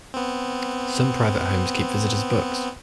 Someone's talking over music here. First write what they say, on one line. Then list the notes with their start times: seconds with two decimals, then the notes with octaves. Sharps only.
Some private homes keep visitors' books.
0.14 B3 C4